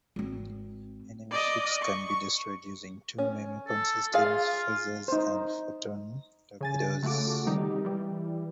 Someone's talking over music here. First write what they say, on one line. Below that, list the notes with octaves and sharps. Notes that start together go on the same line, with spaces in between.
Enemy ships can be destroyed using two main weapons systems: phasers and photon torpedoes.
G#1 C4
D5 D#5
C#6
C#4
A4
F4 G#4 F5
D#4 C5
C#3 G#5 A6
C#3 A3 F4 F#4 D6
C3 D#3 G3 D#4 G4
E3 G3